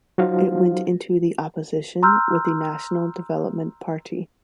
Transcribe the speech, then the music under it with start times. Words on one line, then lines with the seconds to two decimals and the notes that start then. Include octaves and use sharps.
It went into the opposition with the National Development Party.
0.18 F#3 D#4 F4 F#4 C5 F5
2.03 A#5 C6 E6 F6 G6